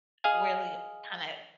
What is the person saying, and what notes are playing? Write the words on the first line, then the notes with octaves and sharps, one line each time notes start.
Really kinda
G#4 D#5 F5 G#5